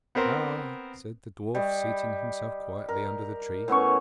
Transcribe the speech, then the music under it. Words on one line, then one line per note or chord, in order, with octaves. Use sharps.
'Ah!' said the dwarf, seating himself quietly under the tree.
B3 C4 A#4 C5
G3 D#5
A#4
A2 B3 C#4 C#6